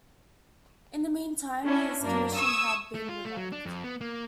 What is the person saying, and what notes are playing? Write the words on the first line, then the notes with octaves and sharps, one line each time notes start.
In the meantime, his commission had been revoked.
C#4 D4 E4
F#2 A#3 D4
C#6 D#6 E6 G#6
A3
F4
A3
F#3
D4
F2
B3
A#3